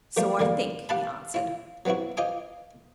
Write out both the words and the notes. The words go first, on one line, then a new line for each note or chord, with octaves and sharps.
'So I think,' he answered.
F3 G3 A3 A#3 D4 F4
E2 D3 G3 A#3
G4 F5 F#5 A5 B5
E4 F4
F#3 B3 C4 E4 F#4
F4 C5 D#5 G#5 D6